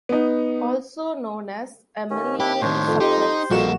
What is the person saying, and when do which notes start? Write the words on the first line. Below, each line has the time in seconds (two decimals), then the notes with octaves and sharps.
Also known as a Millennium Suplex.
0.09 B3 D#4
2.10 D#2 C#4
2.40 D4 E4 G4 B5
2.61 A2 D#3 D4 C5 C#5
2.87 F2
3.00 D#4 G4 C5 C6
3.51 A#1 F2 G3 A#3 F#4 E7